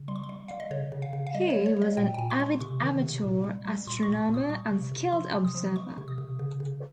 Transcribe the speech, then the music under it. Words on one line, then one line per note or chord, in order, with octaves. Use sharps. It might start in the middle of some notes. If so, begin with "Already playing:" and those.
He was an avid amateur astronomer and skilled observer.
Already playing: C#3
G3 C6
C#6
C6
G3
G3 F5
D#5
C#3 C#5
C#3
F5
C#3
F5
G3 D#5
C#5
G3
C#5
G3
D#5
A#2 G5
G5
A#2 G#5
C#6
G#3 C6
C3 C#6
D#3
C3
A#2
G3
G3
A#2 C6
C#6
A#2
A#2
D#6
G3 C#6
C3
C3
F3 C6
C3
D#6
F3
G#3 C#6
C3
D#6
C3
C#3
C#3